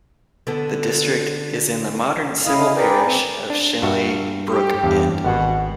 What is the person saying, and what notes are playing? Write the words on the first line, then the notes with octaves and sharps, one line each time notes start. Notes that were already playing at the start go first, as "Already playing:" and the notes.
The district is in the modern civil parish of Shenley Brook End.
D3 B3 A4
C#3 E4 D#5 F5
G#4 A#4 B4 D5 G5
C4
D4
G2 F#4 E5
G4
E2 G2
G#1 B2 F#5